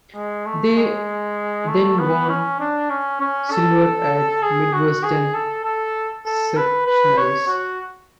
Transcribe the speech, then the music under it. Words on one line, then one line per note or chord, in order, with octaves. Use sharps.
They then won silver at Midwestern Sectionals.
G#3
A3
G#3
A3
B3
C#4
D4
C#4
C#4
A4
G#4
F#4
G#4
A4
A4
A4
B4
B4
C#5
F#4